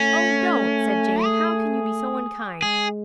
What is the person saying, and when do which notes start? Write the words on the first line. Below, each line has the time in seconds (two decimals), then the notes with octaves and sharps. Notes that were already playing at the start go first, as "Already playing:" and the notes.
'Oh, don't!' said Jane; 'how can you be so unkind?
Already playing: A3 C#4
1.24 G#4
2.62 G#3 G#4